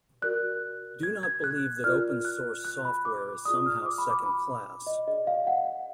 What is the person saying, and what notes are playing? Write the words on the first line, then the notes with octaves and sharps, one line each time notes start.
Do not believe that open source software is somehow second-class.
F#4 A#4 D5 F#6
G#6
G#6
F#6
F4 A#4 D5 F6
F#6
F#6
B5
D6
F4 G#4 D5 D#6
F6
D6
B5
D6
B5
D#5
D4 G#4 D5 D#5
F5
F#5